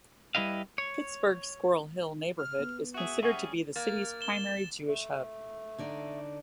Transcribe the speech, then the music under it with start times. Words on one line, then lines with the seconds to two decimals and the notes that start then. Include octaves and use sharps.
Pittsburgh's Squirrel Hill neighborhood is considered to be the city's primary Jewish hub.
0.35 G3 E4 B4 D#5 F5
0.78 C#5
2.38 F6
2.59 B3
2.94 F#4 G#4 E5
3.23 G3 C#4 G#4 F#5 C#6
3.76 A#3 A6
4.21 E7 G7
4.88 A3
5.78 D3 D#4 D5